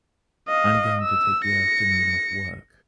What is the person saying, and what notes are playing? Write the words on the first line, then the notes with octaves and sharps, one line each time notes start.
I’m going to take the afternoon off work.
D#5 F5
E6
A#6 C#7